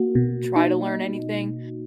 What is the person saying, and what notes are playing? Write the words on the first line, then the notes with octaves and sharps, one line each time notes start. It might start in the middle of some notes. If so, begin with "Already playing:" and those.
try to learn anything
Already playing: A#3 F#4
B2
D#4